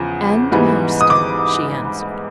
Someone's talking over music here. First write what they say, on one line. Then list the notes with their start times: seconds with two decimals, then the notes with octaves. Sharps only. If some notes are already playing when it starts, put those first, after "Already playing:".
"And Marston," she answered.
Already playing: E2 C#3 F3
0.52 G#2 E3 G3 B3
1.01 D#6
1.10 D6